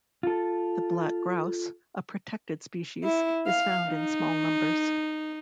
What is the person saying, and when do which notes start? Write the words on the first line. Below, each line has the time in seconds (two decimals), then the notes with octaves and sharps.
The black grouse, a protected species, is found in small numbers.
0.23 F4 A4
3.03 E4
3.47 F5
3.89 D#4